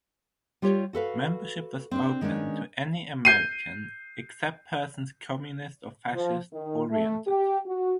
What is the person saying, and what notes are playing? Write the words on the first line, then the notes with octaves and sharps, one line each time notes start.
Membership was open to any American "except persons Communist or Fascist oriented".
G3 F4 G4 C#5
F#4 A4 B4 F5
C4 D4 C5
D#3 G#3 B3 C#4 D4
G6 C7 D#7
F3
D#3
A3
G4
F#4